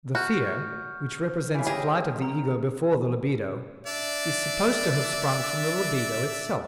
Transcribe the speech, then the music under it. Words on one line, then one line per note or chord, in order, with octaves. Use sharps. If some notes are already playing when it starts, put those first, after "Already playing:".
The fear, which represents flight of the ego before the libido, is supposed to have sprung from the libido itself.
F#4 F6 G6
C#3 E3
A3 G4 G#4 D#5
A#5
D4 D5 E5